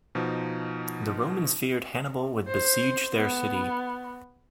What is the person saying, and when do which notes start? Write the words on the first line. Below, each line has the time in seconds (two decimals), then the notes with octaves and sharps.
The Romans feared that Hannibal would besiege their city.
0.15 B2 F3 D#4
2.47 C5
3.16 B3